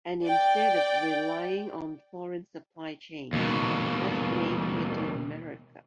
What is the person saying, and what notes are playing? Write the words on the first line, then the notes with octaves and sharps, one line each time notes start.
And instead of relying on foreign supply chains, let’s make it in America.
D5 G5
D#2 B2